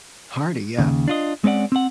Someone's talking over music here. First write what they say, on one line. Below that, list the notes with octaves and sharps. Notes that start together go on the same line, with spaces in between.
Hardy, yeah.
D#2 C#3
D4 F4 D#5
G#3 C4 C#4 D5 F#5
C4 F#5